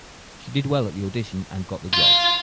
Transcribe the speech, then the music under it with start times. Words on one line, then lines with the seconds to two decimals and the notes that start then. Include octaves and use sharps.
She did well at the audition and got the job.
1.94 F4